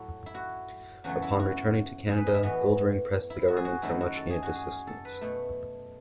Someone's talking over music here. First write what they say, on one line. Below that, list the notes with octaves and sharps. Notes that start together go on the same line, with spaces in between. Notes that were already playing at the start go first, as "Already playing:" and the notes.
Upon returning to Canada, Goldring pressed the government for much needed assistance.
Already playing: A2 F#3 A3 E4 F#4
E4
F#4
E2 C#3 F#3 A3 F#4
E4
F#4
G#4
B4
D#5
E5
A2 E3 B3 F#4
E4
F#4
G#4
F#4
F#2 D#3 F#3 A3 E4
F#4
A4
G#4
F#4
G#4
A4
B4
B2 A3